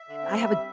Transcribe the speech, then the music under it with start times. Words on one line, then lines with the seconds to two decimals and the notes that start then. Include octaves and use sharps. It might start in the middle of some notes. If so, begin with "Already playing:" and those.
I have a
Already playing: E5
0.08 D3
0.23 C4
0.38 G3